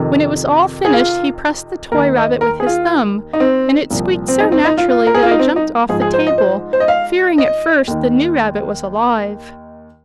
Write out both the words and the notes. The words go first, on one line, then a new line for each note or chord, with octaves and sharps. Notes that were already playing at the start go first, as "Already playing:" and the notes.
When it was all finished he pressed the toy rabbit with his thumb, and it squeaked so naturally that I jumped off the table, fearing at first the new rabbit was alive.
Already playing: F2 C3 D#3
G#4
F4
D#2 D#3 A#4
D#5
A#4
G#4
F4
D#4
C4
C2 A#2 F3
C4
D#4
C4
D#4
F4
F4
A#4
G#4
F4
D#4
C4
D#4
G#2 F3 G#4
G#4
C5
D#5
C5
C5
D#5
F5
D#5
D#2 D#3